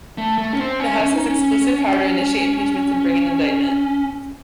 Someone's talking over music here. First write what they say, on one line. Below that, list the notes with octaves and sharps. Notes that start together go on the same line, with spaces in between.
The House has exclusive power to initiate impeachments and bring an indictment.
A3
A3
C#4
C4
C#4
C#4
D#4
C#4